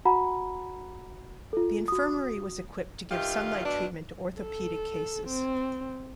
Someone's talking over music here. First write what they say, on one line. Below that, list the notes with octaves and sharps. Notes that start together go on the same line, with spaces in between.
The infirmary was equipped to give sunlight treatment to orthopaedic cases.
F#4 F#5 A#5 B5
F4 A4
F#4 D#6
G2 D#3 F4 G4 E5
D2 B2 D4 D5
A4
C4